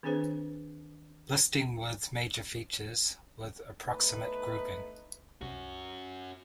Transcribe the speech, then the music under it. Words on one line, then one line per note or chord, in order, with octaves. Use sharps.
Listing with major features, with approximate grouping.
D#3 C4 D4 G#4 B4 C5
A3 B3 D#4 B4
C2 C#4 F#4